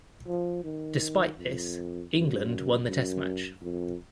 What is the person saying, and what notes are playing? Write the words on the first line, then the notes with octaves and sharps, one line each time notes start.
Despite this England won the test match.
F3
D#3
F2
F#2
F#2
F2